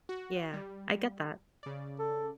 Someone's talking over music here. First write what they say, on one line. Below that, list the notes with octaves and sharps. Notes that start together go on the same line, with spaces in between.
Yeah, I get that.
F#4
G3
C#3 D5
A4